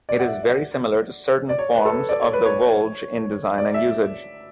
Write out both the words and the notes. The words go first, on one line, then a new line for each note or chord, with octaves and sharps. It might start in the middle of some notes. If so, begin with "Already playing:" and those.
It is very similar to certain forms of the voulge in design and usage.
D5
F#5
E5
D5
D5
C#5
B4
A4
B4
D5
C#5
B4
C#5
D5
E5